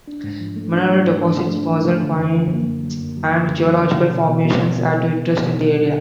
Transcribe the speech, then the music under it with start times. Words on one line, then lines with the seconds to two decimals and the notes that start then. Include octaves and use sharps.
Mineral deposits, fossil finds and geological formations add to interest in the area.
0.08 D4
0.24 G#2
0.40 F3
0.56 A3
0.72 D4
0.89 F3
1.05 G#2
1.21 D4
1.37 A3
1.54 D4
1.70 F3
1.87 A3
2.02 D3
2.19 F#2
2.35 D3
2.51 A#3
2.67 F#2
2.83 F#3
3.00 F#2
3.17 F#3
3.33 D3
3.49 F#2
3.65 F#3
3.81 D3
3.97 B2
4.14 B2
4.29 B2
4.45 B2
4.62 B2
4.78 B2
4.95 F#3
5.11 B2
5.27 B2
5.43 B2
5.59 B2
5.76 F#3